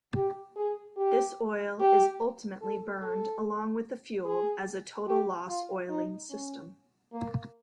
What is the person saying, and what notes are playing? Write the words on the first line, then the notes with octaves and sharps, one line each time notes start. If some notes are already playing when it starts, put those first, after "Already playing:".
This oil is ultimately burned along with the fuel as a total-loss oiling system.
G4
G#4
G4
G4
A4
A4
G#4
G4
F4
D#4
C#4
A#3